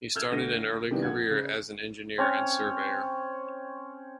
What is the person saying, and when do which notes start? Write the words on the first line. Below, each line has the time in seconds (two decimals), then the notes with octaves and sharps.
He started an early career as an engineer and surveyor.
0.15 E6 F6 G6 G#6 E7 F7
0.32 D2 A#6 D#7
0.91 C3 D#3 E3 G3 B3 D4
1.02 F2 F#5 G#6
1.30 C#3
2.18 C4 C#4 C#5